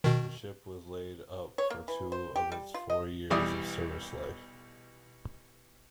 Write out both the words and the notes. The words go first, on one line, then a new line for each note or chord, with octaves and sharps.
The ship was laid up for two of its four years of service life.
B2 D#3
C#5
A#3
E3
C5
G4
G3
F4
D#5
B1 E3 G3 D5 E5 D#6